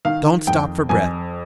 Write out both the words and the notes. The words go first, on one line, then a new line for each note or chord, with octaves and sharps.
Don’t stop for breath.
D#3 F5
F2 G5
F2 G#5